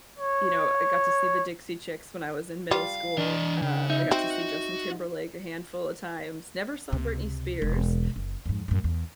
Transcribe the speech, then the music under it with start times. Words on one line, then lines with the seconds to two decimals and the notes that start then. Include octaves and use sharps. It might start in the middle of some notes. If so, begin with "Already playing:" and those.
you know, I got to see the Dixie Chicks when I was in middle school, um, I got to see Justin Timberlake a handful of times. Never saw Britney Spears,
0.19 C#5
2.71 G3 F4 F5
3.18 E3 D4 D#5
3.62 C#3
3.90 D#4 E5
4.11 C4 F#4
6.92 C#2 C3
7.62 E1
8.16 F#1
8.46 F2 G#2
8.68 F#2 A2
8.84 E2